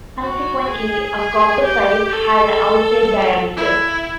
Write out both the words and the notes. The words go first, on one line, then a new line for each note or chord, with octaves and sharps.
Consequently, a copper pipe had a outside diameter.
F#4
G#4
G#4
G4
A4
E4